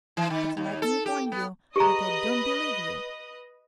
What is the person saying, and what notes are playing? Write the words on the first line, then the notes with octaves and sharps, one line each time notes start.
But let me warn you that I don't believe you!
E3
D#3
D#2
A4
G4
B3
G4 G#4 B4 D#5 A#5 D#6